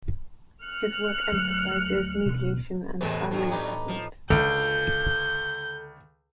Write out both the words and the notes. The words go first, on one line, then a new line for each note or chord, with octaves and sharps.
His work emphasizes mediation and family assessment.
F6 F#6 C#7
D2 F#3 A3
A1 D2 B2
E2 A2 C3 G#3 B4
G2 F3 F#3
D#4 G4 B4
F3
C#2 D3 F4 A4 G6